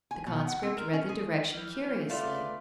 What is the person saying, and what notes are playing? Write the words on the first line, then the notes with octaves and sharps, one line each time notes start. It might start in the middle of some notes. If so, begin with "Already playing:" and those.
The conscript read the direction curiously.
G#5
B2
F#5
C4
A#4
C#4
G#4
E3 F6 G6
A3 B3 F4 D5